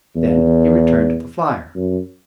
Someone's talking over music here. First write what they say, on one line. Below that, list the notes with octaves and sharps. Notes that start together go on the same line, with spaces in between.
Then he returned to the flier.
E2
F#2